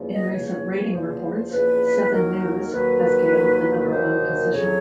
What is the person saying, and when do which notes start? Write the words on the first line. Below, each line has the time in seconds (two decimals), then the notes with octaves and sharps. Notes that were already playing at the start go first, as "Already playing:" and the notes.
In recent ratings reports, "Seven News" has gained the number one position.
Already playing: E2 C#3 F3 A#3
0.12 D#5
0.32 E2 C#3 F3 A#3 C#5
0.92 E2 C#3 F3 A#3 C5
1.52 E2 C#3 F3 A#3 B4
2.12 D#2 D#3 F#3 A#3 A#4
2.72 D#2 D#3 F#3 A#3 B4
3.31 D#2 D#3 F#3 A#3
3.92 D#2 D#3 F#3 A#3 C5
4.51 F2 C#3 F#3 C#5